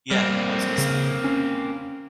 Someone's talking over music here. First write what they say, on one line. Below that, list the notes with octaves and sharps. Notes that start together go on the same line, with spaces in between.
Yeah. I was gonna s
G3 A#3 C4
C#3
C#4